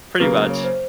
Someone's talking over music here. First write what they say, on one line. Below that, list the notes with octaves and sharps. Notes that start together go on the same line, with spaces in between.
Pretty much.
C#3 F#3 A#3 B4
C#5
C5